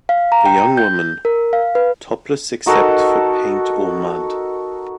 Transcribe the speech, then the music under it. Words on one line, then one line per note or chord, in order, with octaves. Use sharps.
A young woman, topless except for paint or mud.
F5
A#5
G5
G6
A#4
F5
B4
D#4 F#4 A4 A#4